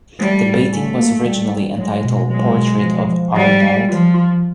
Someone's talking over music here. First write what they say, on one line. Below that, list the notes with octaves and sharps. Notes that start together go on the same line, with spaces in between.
The painting was originally entitled "Portrait of Arnold".
G3 A3
A2
A3 C#4
A#3
G3
G3
F#3 G#3
B2
F#3 G#3
B2
F3
F3
F3 G3
G#3
F3 F4
F4